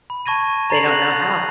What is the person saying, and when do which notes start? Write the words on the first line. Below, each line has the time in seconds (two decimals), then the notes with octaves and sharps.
They don't know how.
0.10 B5
0.26 A5 C#6 G#6 A#6 D#7
0.70 A#5 A6 C7 F7 F#7
0.88 F#6 A#6